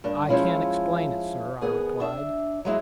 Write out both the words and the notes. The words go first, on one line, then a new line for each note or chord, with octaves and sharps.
"I can't explain it, sir," I replied.
G2 D4
F3 G#3 C#4 E4 F4
D#2 B3 G#4
D4 E5
F#3 G#3 E4